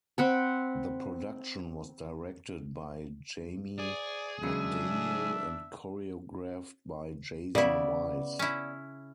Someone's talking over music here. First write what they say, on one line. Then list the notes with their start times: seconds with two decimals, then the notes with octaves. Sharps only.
The production was directed by Jayme McDaniel, and choreographed by Jason Wise.
0.18 C4 F#5 B5
3.78 G#4 D5
4.43 C#3 F#3 G#3 D4 E5
7.55 C#3 B3 E4 D5
8.39 C#4 E4